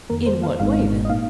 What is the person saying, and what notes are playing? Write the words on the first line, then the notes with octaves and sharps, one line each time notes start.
"In what way then?"
F2 D#3 A#3 A#4
C5
F5
G#1 G#2 G#3 C4 D#4 F5
D#5
A#2 A#3 D#4 F5